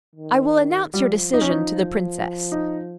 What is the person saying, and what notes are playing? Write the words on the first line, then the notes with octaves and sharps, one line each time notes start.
I will announce your decision to the Princess.
D#3
F3 G3
D#4
C#4
D#4
D#4